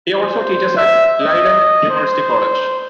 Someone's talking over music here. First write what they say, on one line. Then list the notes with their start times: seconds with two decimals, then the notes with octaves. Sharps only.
He also teaches at Leiden University College.
0.16 C5
0.77 E5
1.17 D#5
1.90 C5